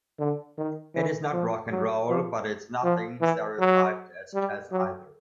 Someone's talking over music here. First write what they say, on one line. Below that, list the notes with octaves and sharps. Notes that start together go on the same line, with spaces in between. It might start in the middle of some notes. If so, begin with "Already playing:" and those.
It is not rock and roll, but it's nothing stereotyped as jazz either.
D3
D#3
E3
F3
F#3
F3
F3
E3
F#3
G3
F#3